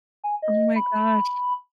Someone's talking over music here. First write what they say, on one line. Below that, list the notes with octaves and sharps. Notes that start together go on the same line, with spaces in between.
Oh my gosh.
G#5
D#5
B5